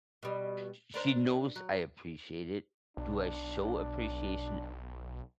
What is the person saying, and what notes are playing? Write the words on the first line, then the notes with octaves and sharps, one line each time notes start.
Sh she knows I appreciate it. Do I show appreciation
B2 G3
D4 A#4 C5
F#3
B1 D4